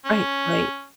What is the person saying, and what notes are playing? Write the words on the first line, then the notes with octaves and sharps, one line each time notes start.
Right, right.
C#4